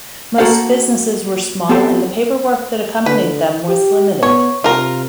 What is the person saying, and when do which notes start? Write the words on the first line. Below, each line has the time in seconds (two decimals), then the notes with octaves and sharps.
Most businesses were small, and the paperwork that accompanied them was limited.
0.38 A#3 F#4 A4 C5 F5
1.69 B3 C4 G4 A4 C5
3.06 D3 B4
3.68 G4
4.23 B3 C#5
4.64 C3 F4 A#4